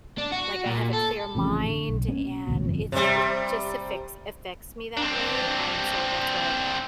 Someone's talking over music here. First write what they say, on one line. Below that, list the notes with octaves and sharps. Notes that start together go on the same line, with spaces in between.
like I have a clear mind and it's it's just affects affects me that way and so that's why
D4
F#4
A#2
A4
A1 F2 C#3
D3
B1
B3 C#4
A1 D2 B2
G1 F2
C3 G3
C4 D4